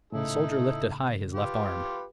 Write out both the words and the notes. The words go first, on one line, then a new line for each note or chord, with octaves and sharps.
The soldier lifted high his left arm.
A2 C#3 D#4 E4 A4
F4 G4 B4